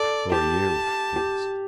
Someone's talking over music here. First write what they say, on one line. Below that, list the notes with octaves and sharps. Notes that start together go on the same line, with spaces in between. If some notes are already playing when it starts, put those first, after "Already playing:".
"Who are you?" he asked.
Already playing: A4 D5
G4 A5
G4